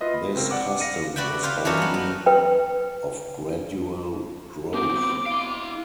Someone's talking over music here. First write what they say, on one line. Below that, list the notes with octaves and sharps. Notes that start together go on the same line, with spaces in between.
This custom was only of gradual growth.
F4 B4 D#5 E5
B5
C#2 C4 A#4
D5 F#5 D6
F5 A#6 C#7 D#7
F#4 B4 D5 E5 G5
F4 G4 B4 F5
E3 A#3 D#4 A4 A#4 C#5
F#3 B3
B3
B4 G5
B3 C4 D6
E4 F5